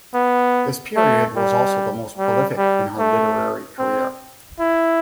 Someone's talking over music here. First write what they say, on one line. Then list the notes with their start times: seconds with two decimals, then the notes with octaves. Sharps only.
This period was also the most prolific in her literary career.
0.14 B3
0.96 A3
1.36 G3
2.18 G3
2.58 G3
2.99 A3
3.79 C4
4.60 E4